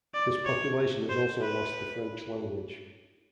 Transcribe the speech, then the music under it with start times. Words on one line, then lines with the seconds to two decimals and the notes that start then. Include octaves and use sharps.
This population has also lost the French language.
0.14 D5
0.46 C#5
1.09 C5
1.42 B4